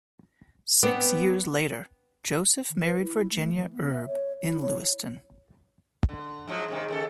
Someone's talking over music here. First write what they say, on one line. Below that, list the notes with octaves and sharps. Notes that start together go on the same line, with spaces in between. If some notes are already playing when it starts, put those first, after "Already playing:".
Six years later, Joseph married Virginia Erb in Lewistown.
B3 C4 D4
D#3
B4
E4
A3
E3
B3
E5
C#5
E4
C#5
D3
G#2 F3 F#3
G#2 C3 D#3
D#2 C#3 A4